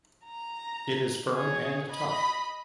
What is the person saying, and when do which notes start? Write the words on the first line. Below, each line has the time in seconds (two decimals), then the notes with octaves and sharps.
It is firm and tough.
0.24 A#5
1.34 G#4 C#5
1.90 D#5 B5